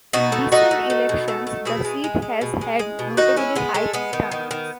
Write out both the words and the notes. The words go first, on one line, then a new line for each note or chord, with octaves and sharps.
In recent elections, the seat has had notably high turnouts.
B2 D#4 F#4
A3
A3 D#4 F#4
A3
A3
B2
A3
A3
B2 E4 G#4
G#3
G#3
G#3
B2
G#3
G#3
B2
D#3 D#4 F#4
G#3 C#4 E4
G#3 B3
G#3 A3
G#3 B3
D#3
D#3
D#3